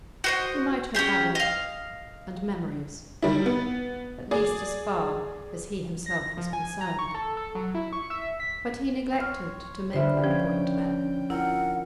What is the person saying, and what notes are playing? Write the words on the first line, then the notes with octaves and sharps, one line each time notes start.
He might have added, "and memories," at least as far as he himself was concerned; but he neglected to make that point then.
F#4 C5 D#5
C#4 D#4 G4 G#4
D#5 F5
D#3 G3 E4
B3
G#4 D5
A#6
F3
G#5
A#5
C#6
A4
A4
F#3
E4
C#6
E5
B6
C#5 C6 F6
D3 F4 G4 B4 C5 E5
F3 C#4 G5
E4 F4 A#4 F#5